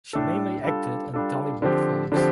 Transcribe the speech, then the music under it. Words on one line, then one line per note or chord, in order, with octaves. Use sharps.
She mainly acted in Dhallywood films.
A2 A3 D4 A4
G3 D4 F4 A4
G3 D4 F4 A4
D3 F3 C4 G4
D3 F3 C4 G4